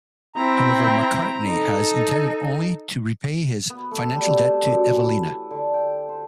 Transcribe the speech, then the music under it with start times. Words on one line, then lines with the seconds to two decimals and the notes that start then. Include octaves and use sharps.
However, Macartney has intended only to repay his financial debt to Evelina.
0.36 C4 E4 G5 A#5
1.46 D#4 A4
3.70 B3
3.91 A3
4.14 G3
4.32 C3
4.46 D4
4.64 F#2
4.92 E3
5.51 D3
5.74 G5
6.09 C5